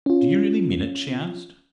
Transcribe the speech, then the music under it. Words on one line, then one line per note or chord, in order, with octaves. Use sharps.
"Do you really mean it?" she asked.
C#4 F4